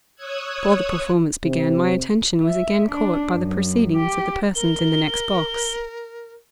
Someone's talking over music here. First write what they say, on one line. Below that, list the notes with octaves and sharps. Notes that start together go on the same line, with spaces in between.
Before the performance began, my attention was again caught by the proceedings of the persons in the next box.
C#5 D#6 E6 F#6 G#6
C3
E5
D4
F#2
G4
A#4 G7